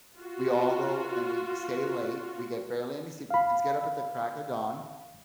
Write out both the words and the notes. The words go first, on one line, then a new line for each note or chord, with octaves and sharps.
we all go and we stay late, we get barely any sleep, the kids get up at the crack of dawn,
F4 F#4
F5 B5